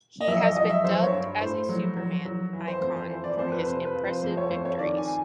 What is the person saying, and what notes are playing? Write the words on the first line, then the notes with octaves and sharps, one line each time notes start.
He has been dubbed as a "Superman" icon for his impressive victories.
D#5
F#3 E5
D#5
F#3 D#5
E5
F#3 C5
C#5
G2
A2 C5
F#3
F#3
F#3
E3
C5
F2 C5
C5
E3 C5
D5
F2 C5
B4
C3 C5
B4
F3
C5
F2 C5
C#5
F2 C5
C#5
D#3 D5
G#5
G#5